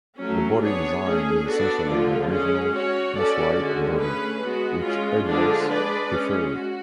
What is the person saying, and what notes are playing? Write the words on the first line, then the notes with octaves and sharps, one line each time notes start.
The body design is essentially the original Mosrite body, which Edwards preferred.
F#3 A3 C#4
B3 D4 G#4 C#5
A3 C#4 G#4
B3 D4 F#4 A4 D5
D3 F3 A3 F4
G#3 C#4 G#4
C#4 F#4 C#5
C#4 F#4 A4 D5
D3 G#3 C#4 F#4
A3 C#4 G#4 B4
G#3 B3 F#4
G#3 C#4 F4
D3 F3 G#3 D4 G#4
G#3 D4 G#4 B4 D5
G#3 C#4 G#4
F#4